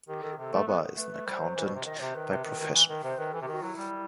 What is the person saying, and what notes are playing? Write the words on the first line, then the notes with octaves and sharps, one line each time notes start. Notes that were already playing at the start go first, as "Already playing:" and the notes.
Baba is an Accountant by Profession.
D#3 G4
D#3 A4
G4
C3 A4
A3
B3
A3 B4
A3
G3 C5
F#3
E3
B2
C3
D#3 D#5
C3 C5
D#3 B4
C3
D#3
D#3
E3
D#3
C3 C5
D#3 B4
E3 A4
C3 G4
D#3
F#4
F#3 E4
G3